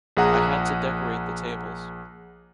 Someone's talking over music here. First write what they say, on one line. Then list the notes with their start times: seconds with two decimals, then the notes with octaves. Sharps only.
I had to decorate the tables.
0.17 A#1 G#4 F#5 A#5 D#6